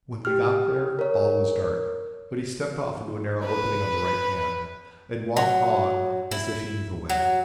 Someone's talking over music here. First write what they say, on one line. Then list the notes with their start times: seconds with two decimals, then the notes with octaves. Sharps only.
When we got there all was dark, but he stepped off into a narrow opening on the right hand, and walked on as if he knew the way.
0.25 G4 F6
0.99 A#4 C#5
3.45 B4
5.37 F#3
6.31 E4
7.09 F#3